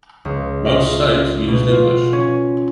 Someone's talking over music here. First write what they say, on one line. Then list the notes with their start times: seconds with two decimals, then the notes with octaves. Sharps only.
Most sites used English.
0.25 C#2
0.65 F4 D#5 E5
1.48 B2
1.71 F4
2.13 C#4